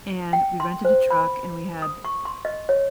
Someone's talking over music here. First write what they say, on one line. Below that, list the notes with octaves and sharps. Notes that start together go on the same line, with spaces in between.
and we rented a truck and we had
G5
C6
C5
B5
D#6
C#6
C6
D#5
C#5